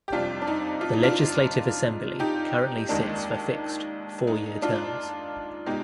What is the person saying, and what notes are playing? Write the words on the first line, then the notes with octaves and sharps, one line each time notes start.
The Legislative Assembly currently sits for fixed four-year terms.
G4
F2 C3 G3 D4 F4
D4
D#4
F4
D#4
D4 F4
D#4 G4
D#2 D#3 G#3 D4
D#4
D4 F4
B2 G#3 D#4 G4